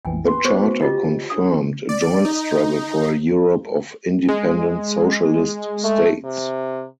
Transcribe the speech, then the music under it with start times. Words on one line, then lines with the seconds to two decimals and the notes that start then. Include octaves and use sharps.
The Charter confirmed a joint struggle for a Europe of independent socialist states.
0.05 A#1 F2 E3 G5 G#5
0.25 B4 C6
0.44 B3 G#4 B4 C5 C#6
0.61 F#4
0.82 F4 G4 D#5
1.30 D4 D#6
1.89 D5
2.25 D#4
4.28 G#3
5.84 A3
6.25 C3